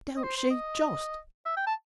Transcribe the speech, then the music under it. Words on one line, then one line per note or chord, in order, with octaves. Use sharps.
Don't she just!
D#5
C5
C5
D#5
E5
G5
A5